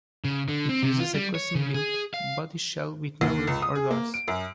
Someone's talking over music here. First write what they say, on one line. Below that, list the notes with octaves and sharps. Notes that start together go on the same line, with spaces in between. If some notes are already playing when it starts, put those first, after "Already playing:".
It uses a custom built bodyshell with no roof or doors.
C#3
D3
C4
C3
F4
G3
C#5
C#3
G#4
F5
D#2
C#2
D#6
G#4
A#3
D7
F#2